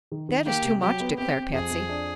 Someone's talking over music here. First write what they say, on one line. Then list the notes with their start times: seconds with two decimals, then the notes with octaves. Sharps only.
"That is too much," declared Patsy.
0.11 D#3
0.29 D#3
0.46 A#3 G4
0.64 C3
0.82 F#3 G4
1.00 B3
1.18 C4 G4
1.36 C4
1.53 F2 G#4
1.71 F2
1.89 D4